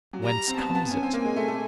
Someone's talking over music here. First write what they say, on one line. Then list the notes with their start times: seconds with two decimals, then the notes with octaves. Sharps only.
Whence comes it?
0.13 F#3
0.24 G3 A#5
0.48 C4
0.57 B3 A5
0.75 B3
0.91 C#4 G#5
1.03 C4
1.13 A#3
1.25 G#3
1.36 A3
1.48 A3